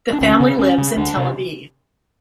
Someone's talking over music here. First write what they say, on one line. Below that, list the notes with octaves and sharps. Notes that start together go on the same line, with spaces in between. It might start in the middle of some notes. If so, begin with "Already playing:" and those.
The family lives in Tel Aviv.
D4
D2 C#4
C#3
D2 C#4
C#3
D2 D4
C3